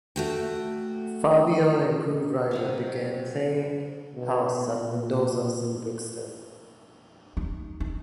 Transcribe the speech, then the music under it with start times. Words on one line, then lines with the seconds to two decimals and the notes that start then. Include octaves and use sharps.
Fabio and Grooverider began playing house at Mendoza's in Brixton.
0.16 A3 F#4 G5
2.51 C3 F#3 F5
4.16 B2
4.68 A#2
7.37 D#4
7.80 D#4